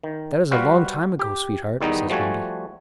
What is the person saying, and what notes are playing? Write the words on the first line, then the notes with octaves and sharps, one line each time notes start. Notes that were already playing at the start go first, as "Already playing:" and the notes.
"That is a long time ago, sweetheart," says Wendy.
D#3
G3 F#4 B4 C5 F5
G4
E2 D#3 G3 B3 D#4
F3 G3 A3 F#4 G#5 A5